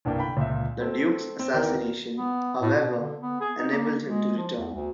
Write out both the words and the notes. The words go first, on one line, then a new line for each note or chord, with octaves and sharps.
The duke's assassination, however, enabled him to return.
C2 G2 A#3 D4 G5
D3 G5 B5
C#2 A#2 E5
A3 C4
C4
D#2 E3 B3 A#4 D5 G5
B3
A2
B2
D3
B3
G#4
D#4
A#3
G#3
F3
E2
D2